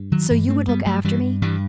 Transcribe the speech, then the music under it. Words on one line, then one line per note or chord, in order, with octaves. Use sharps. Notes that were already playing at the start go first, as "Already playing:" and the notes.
"So you would look after me?"
Already playing: G2
D#3 F#3
G2 E3
A3 C4
C4
G2 G3 B3
F#3 A3
G2 E3 G3
G2 E3 G3